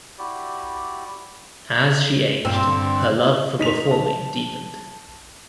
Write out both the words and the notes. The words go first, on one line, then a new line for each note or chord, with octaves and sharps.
As she aged, her love for performing deepened.
E4 F#4 G4 D5
G2 A#2 C4
G2 D3
D#4 B6 F7
A5